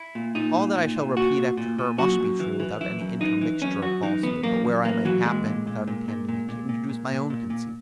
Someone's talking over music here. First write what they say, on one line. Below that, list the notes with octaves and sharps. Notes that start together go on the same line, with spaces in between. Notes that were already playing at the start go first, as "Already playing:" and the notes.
All that I shall repeat after her, must be true, without any intermixture of falsehood, but where I may happen, without intending it, to introduce my own conceits.
Already playing: E4
A#2
A#2 D#4
A#2
A#2
A#2
A#2 F#4
A#2
A#2
A#2
F#2 F#4
F#2
E3
E3
F#2 E4
F#2
E3 D#4
E3
F#2 C#4
F#2 F#4
E3 D#4
E3 B3
F#2 A#3
F#2
E3 A#3
E3 F#3
A#2 G#3
A#2
A#2
A#2
A#2
A#2
A#2
A#2
A#2
A#2
A#2
A#2